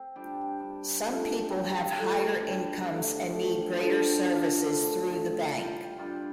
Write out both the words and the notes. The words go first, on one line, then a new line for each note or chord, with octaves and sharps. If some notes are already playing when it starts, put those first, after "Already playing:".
Some people have higher incomes and need greater services through the bank.
Already playing: C4
G3 D4 G4 D5
G3 D4 G4
F3 A3 D4
G3 C4 G4
A3 C4 F4
G3 D4 F4
G2 D3 A3 D4
G2 F3 A3
G2 D3 F3 D4
F3 D4 F4
D3 A3 F4 A4
A2 F3 C4
G3 F4 C5
G2 G3 F4